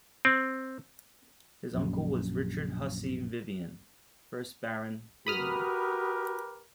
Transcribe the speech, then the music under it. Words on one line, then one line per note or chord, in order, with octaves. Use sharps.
His uncle was Richard Hussey Vivian, first baron Vivian.
C4
A#1 F#2
F#4 G4 A#4 B4 B5 D#6 F6